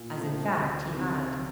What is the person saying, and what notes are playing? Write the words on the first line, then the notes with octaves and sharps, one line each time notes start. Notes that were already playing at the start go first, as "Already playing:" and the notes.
As, in fact, he had.
Already playing: A#2
F3 A3
D2
C3 D#3